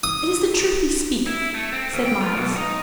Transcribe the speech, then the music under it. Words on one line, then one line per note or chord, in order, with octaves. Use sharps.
"It is the truth he speaketh," said Myles.
D#6
E4
A3
C4
D2
G5
F4
B1
D#4